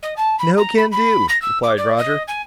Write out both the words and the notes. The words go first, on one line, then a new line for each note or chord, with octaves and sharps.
"No can do," replied Roger.
D#5
A5
B5
A#5
B5
B5
A#6
E6
D6
D5
D#5
G#5